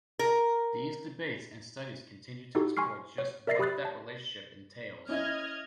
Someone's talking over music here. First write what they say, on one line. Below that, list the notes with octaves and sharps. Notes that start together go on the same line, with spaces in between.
These debates and studies continue to explore just what that relationship entails.
A#4
D#4 E4 F#4 G4 A4
G#5 C6 C#6 F6 C7
C#5
A#4 D5 E5 A6 A#6 C7
G4 B5 D#6 F#6 A6
A5
C#4 E4 D#5 E5 F6 G#6